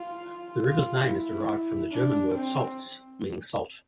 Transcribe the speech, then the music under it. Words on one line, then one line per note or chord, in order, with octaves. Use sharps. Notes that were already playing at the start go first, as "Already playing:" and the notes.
The river's name is derived from the German word "Salz", meaning salt.
Already playing: F4
F4
E4
D4
C4